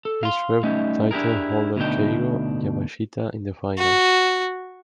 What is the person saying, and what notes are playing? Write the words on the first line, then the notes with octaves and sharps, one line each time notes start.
He swept title holder Keigo Yamashita in the finals.
A4
F5 C6
G3 A3 C#4 D#4
D4 E4 G4 G#4 A#4
D2 B2 F3 D4 D#4 G5
F#4